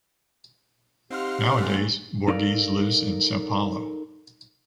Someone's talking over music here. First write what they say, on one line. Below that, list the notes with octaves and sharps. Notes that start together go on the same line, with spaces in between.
Nowadays, Borges lives in São Paulo.
C4 D#4 G4 F5 F#5 C6 F6
E3 G3 A3
D#4 A4 A#4 D5 F5